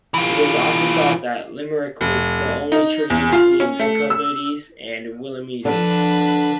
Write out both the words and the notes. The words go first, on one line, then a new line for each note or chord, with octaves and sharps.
It is often thought that Limerick was the only treaty between Jacobites and Williamites.
E3 F4
F1
D#4
E2
F4
C#4
A3
E6
D3 F3 D4 B4